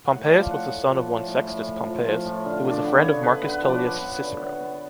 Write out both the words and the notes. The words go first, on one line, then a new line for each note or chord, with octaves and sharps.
Pompeius was the son of one Sextus Pompeius, who was a friend of Marcus Tullius Cicero.
A2 F#5
D5
F3
F5
A2 F#5
A2
F3
A2
A2
A2
A2
F3
F3
A2
D3 F5
D3
D5
B3
C#5
D3
D3 B4
B3
B4
F3
D5
C#5
B3
B3
D3
B3
B3